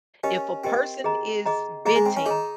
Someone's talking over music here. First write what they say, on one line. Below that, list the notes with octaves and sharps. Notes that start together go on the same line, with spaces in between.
If a person is venting,
C#4 G4 A#4 D#5
C4 G4 A#4 D#5
G#4 D#5 A#5
G#4 D#5 A#5
A#3 G#4 D#5 A#5
G#3
C4
C#4
D#4 G#4 D#5 A#5